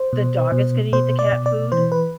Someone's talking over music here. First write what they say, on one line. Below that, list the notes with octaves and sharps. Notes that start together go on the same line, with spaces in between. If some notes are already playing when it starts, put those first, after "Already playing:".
The dog is gonna eat the cat food?
Already playing: C5
B2
B2
B2 C5
D5
B2
D5
E3 C5
B4